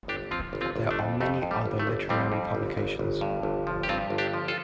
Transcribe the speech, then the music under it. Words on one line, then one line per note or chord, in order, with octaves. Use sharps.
There are many other literary publications.
G1 D4 G4
F3 C4 F4
G1
C4 F4
G1
A3 D4
F2
F2 A3
F2
G3
G1
A3
G1
F2 G3 C4
F2
G1
G1
G1
G2
G1
F3
G4
G2 C4 F4
G1
D4 G4
F3
F4 A4